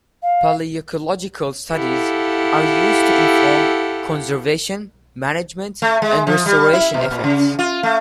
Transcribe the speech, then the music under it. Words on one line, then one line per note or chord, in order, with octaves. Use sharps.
Paleoecological studies are used to inform conservation, management and restoration efforts.
F5
E4 G4 A4 F5 F#5
A3
G#3
F3
G3
E4
B2
A#2
C#3
F4
A3